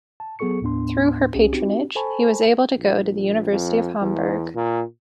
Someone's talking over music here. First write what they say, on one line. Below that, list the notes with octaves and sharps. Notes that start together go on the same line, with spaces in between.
Through her patronage, he was able to go to the University of Hamburg.
A5
F#3 B3 G#4 A4 C#6 C#7
D#2 A2 B3 D4 C6
C2 C#4 G4 G#4
C4 D#4 F#4 G4
A4 C5 G#5 A5 B5 C#6
A#1
F2
E2
A#2